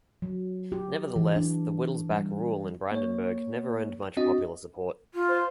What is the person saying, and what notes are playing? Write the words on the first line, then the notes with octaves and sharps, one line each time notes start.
Nevertheless, the Wittelsbach rule in Brandenburg never earned much popular support.
F#3
G4
E3
D4
G3
A#3 C#5
C4 D4 F#4 D#5
F4
C5